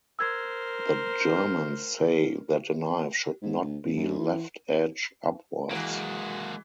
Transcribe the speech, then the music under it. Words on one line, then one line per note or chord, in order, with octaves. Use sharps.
The Germans say that a knife should not be left edge upwards.
A#4 C5 E6 G#6
F6
G#2
D2
A1
F#2
E3
E3 G#3 A#3 F#4 D7